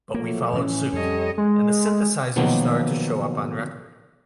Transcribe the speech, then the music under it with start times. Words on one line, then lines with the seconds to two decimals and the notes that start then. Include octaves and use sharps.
But we followed suit, and the synthesizers started to show up on record.
0.14 F3 F#3 A3 A#3 F4
0.53 A2 E3 C#4
0.93 F2 G3 A4 C#5 D#5
1.38 G#3
2.36 B2 D#3 F3 F#3 A#3 B3